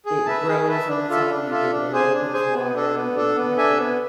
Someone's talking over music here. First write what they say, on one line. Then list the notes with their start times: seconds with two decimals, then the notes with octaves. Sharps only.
it grows on its own, you give it a little bit of water, you don't have to
0.06 G#4
0.26 B4 E5 A5
0.47 G#4
0.68 B4 E5 A5
0.89 D4
1.09 F4 A4 E5
1.30 D4
1.51 F4 A4 E5
1.72 D4
1.92 G#4 C5 G#5
2.13 D4
2.33 G#4 C5 G#5
2.54 B3
2.75 D4 A4
2.95 B3
3.16 D4 A4
3.36 B3
3.57 D4 A4 E5 G#5
3.78 B3